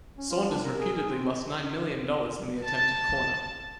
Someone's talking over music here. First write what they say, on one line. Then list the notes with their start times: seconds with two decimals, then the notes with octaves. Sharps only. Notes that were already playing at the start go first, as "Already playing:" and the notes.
Saunders reputedly lost nine million dollars in the attempted corner.
0.17 C#4
0.30 F4
0.49 D4
0.64 A#4
0.80 G#4
0.95 G#4
1.10 C4
2.65 A5 A6